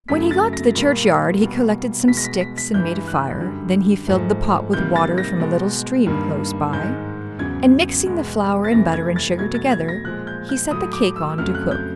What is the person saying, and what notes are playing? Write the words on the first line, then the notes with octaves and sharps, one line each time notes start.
When he got to the churchyard he collected some sticks and made a fire; then he filled the pot with water from a little stream close by, and mixing the flour and butter and sugar together, he set the cake on to cook.
F#2 C#3 F#3 A3 B6
A6
A#6
A#2 G3 A#3
B2 G3 A#3
B2 G#3 B6
A#6
B6
B6
B6
G2 E3 G#3 G6
F#6
F#2 D3 G3
G#2 F3 A3
C3 D#3 G3 A#3 G6
A6
A#6
B2 G#3
G2 D#3 G3 A#3
G#2 D#3 G#3 G6
E2 C#3 F#3 G#6
E2 B2 G#3
A6
F2 C3 E3 A3 A#6
G#6
A6
B2 F#3 A3 G#6
A6
G#6
A#6
A#2 F3 G#3 F#6
G6
G6
A2 F#3 A3 D#6
D6
E6
F2 C#3 F#3 A3 F6
F#6
G6